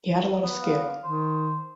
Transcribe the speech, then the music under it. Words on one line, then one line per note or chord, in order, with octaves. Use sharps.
He had a lot of skill.
B3
F5
D#3 C5